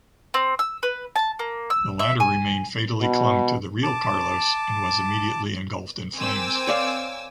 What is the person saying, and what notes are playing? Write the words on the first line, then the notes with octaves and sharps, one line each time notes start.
The latter remained fatally clung to the “Real Carlos” and was immediately engulfed in flames.
C4
E6
B4
A5
A#3
E6
E5
G#5
B2
A5 D6
C4 A#4 G#5 D6 E6
C#5 D5 F5